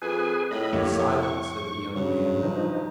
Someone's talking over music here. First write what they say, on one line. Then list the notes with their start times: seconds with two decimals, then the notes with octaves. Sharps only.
"Be silent," said the young man.
0.02 F2 G#4 B4 G#5
0.51 A2 D#5 B5
0.73 F2 A3 A#3 G4 C#5
1.23 C#6
1.95 G2 C#3 F#3
2.43 F3 D#4